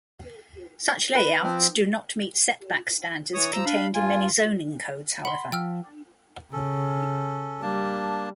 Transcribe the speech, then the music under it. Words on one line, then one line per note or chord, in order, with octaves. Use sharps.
Such layouts do not meet setback standards contained in many zoning codes, however.
B4
F3 C4
E3 C#5 D#6
F3 A#5 E6
D4 F5 B5
G2 F4 G#5
F#5 B5 C6
F3 G5 E6 F6
C#3 C#4 A4
G3 A#3 D4 A5